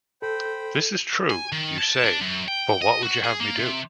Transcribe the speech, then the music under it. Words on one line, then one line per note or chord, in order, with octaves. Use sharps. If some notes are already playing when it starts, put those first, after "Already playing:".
This is true, you say, but what would you have me do?
A4 C5 G5 B5
G#5
D#3
A5
D4
F#2
G5
D#5
F#4
G#4
A#3
C3